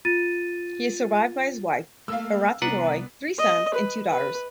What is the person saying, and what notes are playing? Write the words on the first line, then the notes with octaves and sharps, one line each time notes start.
He is survived by his wife, Arati Roy, three sons, and two daughters.
F4 A6 D#7
A3 A#3 F5 E6
C2 B3 D4 B4 F#5 A#5
D#5
B4
B4